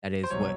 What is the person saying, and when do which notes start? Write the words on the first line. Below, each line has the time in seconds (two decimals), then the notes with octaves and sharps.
that is what
0.23 C5
0.30 C2 B2 F#3 C#5